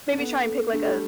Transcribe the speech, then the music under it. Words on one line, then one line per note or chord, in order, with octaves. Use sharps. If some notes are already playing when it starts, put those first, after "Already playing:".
maybe try and pick, like, a
D4
B3 A4
A4
A3 D4
G3